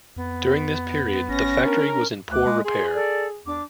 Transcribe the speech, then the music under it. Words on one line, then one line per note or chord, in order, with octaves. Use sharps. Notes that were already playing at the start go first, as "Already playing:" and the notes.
During this period, the factory was in poor repair.
F2 B3
G#1 C#4 A#6
D4 A#4
D2 D6 F#6
G#3
G#4 C6
A4 D5
E2 D4 D6